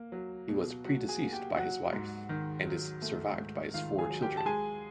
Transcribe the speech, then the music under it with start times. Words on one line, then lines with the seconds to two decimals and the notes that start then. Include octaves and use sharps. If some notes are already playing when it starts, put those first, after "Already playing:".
He was predeceased by his wife and is survived by his four children.
Already playing: A#3
0.12 F#3
0.49 B2
0.85 F#3 F#4 F#5
1.09 G#4 G#5
1.21 A#3
1.33 G4 G5
1.56 F#3 F#4 F#5
1.93 G#2
2.29 D#3
2.65 F#3
3.02 A3
3.37 G#2
3.74 D#3 F4 F5
3.99 G#4 G#5
4.10 F#3
4.22 G4 G5
4.37 A5
4.46 G#3 G#4 G#5